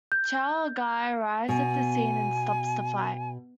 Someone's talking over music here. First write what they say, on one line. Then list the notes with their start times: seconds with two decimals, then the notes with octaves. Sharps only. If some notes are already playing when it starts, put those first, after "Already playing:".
Chao Gai arrives at the scene and stops the fight.
0.12 G6
1.49 B2 G#5